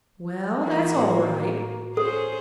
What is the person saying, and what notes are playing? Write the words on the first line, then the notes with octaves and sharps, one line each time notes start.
Well, that's all right.
E3 A#3 F#4
A2 F#4
C#4 G#4 A4 C5